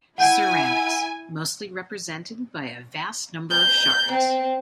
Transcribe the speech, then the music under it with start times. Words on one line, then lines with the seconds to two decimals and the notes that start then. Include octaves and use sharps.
Ceramics: Mostly represented by a vast number of shards.
0.18 E4 F#5 G#5 G6 D7
3.50 G6
4.12 C4